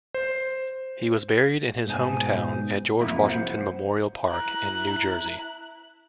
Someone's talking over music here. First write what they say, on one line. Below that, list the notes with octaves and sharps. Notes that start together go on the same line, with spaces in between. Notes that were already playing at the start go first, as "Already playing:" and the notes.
He was buried in his hometown at George Washington Memorial Park in New Jersey.
C5
G#2 B2 D#4 G#5 A5
F2 G#2 C3 F#3 A#3 E4
C5 F#5
E4 A#5 F#6